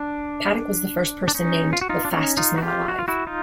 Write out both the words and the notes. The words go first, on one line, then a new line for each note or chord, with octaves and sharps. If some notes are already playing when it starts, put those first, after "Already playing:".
Paddock was the first person named "The fastest man alive".
Already playing: D4
D4
C#4 D#4
F4
F#4
D#4 F4
D4
C#4 D#4
D#4 F4
F#4
F4 G4
F#4
F4
E4 F#4
D#4 F4